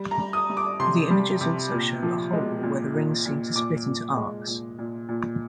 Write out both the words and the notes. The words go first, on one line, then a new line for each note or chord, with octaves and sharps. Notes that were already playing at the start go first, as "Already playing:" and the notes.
The images also show a hole where the rings seem to split into arcs.
Already playing: G3
A#5
G3
D#6
G3
D6
C3 C6
G3
C3
A#2
F3
G#3
A#2
A#2
A#2
A#2 D6
A#2
G#3
A#2
A#2
A#2